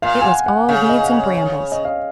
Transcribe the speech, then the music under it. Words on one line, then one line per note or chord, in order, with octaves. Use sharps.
It was all weeds and brambles.
A#2 F5
G#5
F#5
F#5
C#3 F5
D#5
F#5
G#5
D#5
F5